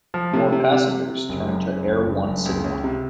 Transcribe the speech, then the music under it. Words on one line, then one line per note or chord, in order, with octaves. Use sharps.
More passengers turned to Air One Cityliner.
F3
C3
C3
C3
C3
C3
F#1
F#2
C#3
F#1
F#1
F#1
C#2
C#2
C3